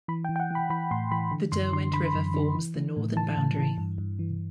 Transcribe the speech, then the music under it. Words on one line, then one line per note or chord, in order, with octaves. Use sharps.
The Derwent River forms the northern boundary.
E3 B5
G5
E3
G5
F#5
E3 B5
E3 B5
A2 C6
E3 B5
D3
F#2 C6
D3 C6
D3 B5
F#2
D3
E3
E3
A2
E3 A5
A2
E3
G2
G2
E3